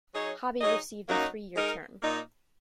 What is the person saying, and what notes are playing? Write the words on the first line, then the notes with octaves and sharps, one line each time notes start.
Hobby received a three-year term.
F#3 D#4 G#4 C#5
F#3 D#4 G#4 D#5
F#2 F#3 A#3 D#4
G#3 D#4 A#4
A#2 A#3 D#4